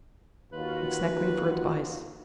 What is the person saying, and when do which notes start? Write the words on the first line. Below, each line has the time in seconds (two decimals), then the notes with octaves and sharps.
McSnagley for advice.
0.53 D#2 F4 F#4 B4